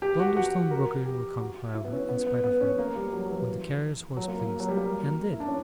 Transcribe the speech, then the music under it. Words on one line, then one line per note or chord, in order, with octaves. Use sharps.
Blunderstone Rookery would come, however, in spite of her, when the carrier's horse pleased--and did.
G4
F#4
F#4
A#4
G4
F#4
E4
B3
C#4
B3
B3
B3
C#4
A#3
G3
F#3
F#3
E3
F#3
A#3
A#3
F#3
G3
A#3
E4
D4
C#4